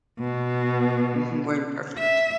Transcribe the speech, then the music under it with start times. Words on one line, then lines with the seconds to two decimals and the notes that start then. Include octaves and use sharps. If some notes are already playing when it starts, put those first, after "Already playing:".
Mhm, we're imperfect.
0.19 B2
1.98 E5